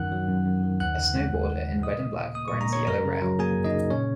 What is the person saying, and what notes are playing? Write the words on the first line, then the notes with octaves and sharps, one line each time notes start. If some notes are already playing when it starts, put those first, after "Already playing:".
A snowboarder in red and black grinds a yellow rail.
Already playing: F#2 D#3 F#5 F#6
F#3
F#2
F#2
D#3
D#2 F#5 F#6
C#3
G#3
D#2
D#2
C#3
A#2 D#5 D#6
A#3
A#2
A#3 D#6
A#2 C#6
A#5
A#3 C#5 C#6
F#2 A#4 A#5
C#3
F#3
A#3 G#4 G#5
F#2
D#4 D#5
C#3
A#2 C#4 C#5